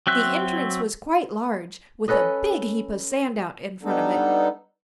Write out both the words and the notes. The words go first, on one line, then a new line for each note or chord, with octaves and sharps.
The entrance was quite large with a big heap of sand out in front of it.
F#3 C4 E5 F#6
C#4 A4 B4 D#5
G3 B3 D4 D#4 A4